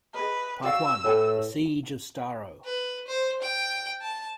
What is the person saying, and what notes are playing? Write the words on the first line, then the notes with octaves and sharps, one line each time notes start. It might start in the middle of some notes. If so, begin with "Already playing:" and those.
Part One", "The Siege of Starro!
G#4 B4 D#5
F#4 D5 F5 E6
A2 B4 G#5
B4
C5
G5
A5